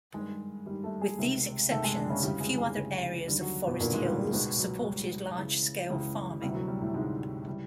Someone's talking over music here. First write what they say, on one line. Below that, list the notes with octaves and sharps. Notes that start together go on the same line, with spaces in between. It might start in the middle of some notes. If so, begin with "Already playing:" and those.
With these exceptions, few other areas of Forest Hills supported large-scale farming.
G2 D#3 G#3 G#4
G2 D#3 G3 G4
A3 A4
G#3 G#4
C#2 C3 D#3
C#2 C3 D#3 A3 A4
G#3 G#4
D3 D4
C#3 C#4
D2 C#3 E3 G3 G4
G#3 G#4
G#3 G#4
D2 C#3 E3
D#2 D3 G3 G4
F#3 F#4
B2 B3
D#2 A#2 D3 A#3
G#2 G#3
G3
C#2 G#2 B2 G#3
F#3
C#2 B2 G3
C#2 C#3 E3
C#2 C#3 E3
D2 C3 E3 G3
F#3
G3
A2 A3
D2 G#2 C3 E3 G#3
C#3 E3 G3